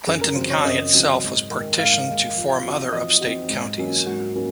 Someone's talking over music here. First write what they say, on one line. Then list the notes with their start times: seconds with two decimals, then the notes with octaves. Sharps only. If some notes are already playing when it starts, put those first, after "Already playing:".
Clinton County itself was partitioned to form other upstate counties.
0.07 F#2 G#4
0.22 A#4
0.36 C#3 F#3 C4 C5
0.50 C#5
0.64 F#2 D#5
0.93 C#3 F#3 C4
1.21 G#2
1.50 D#3 G#3
1.78 G#2 F5
2.07 D#3 G#3
2.35 F3
2.64 C4 D#4 F#4
2.93 F3 D#5
3.21 C4 D#4 F#4
3.50 G#2
3.78 F#3 A#3 C#4
4.06 G#2 F#4
4.35 F#3 A#3 C#4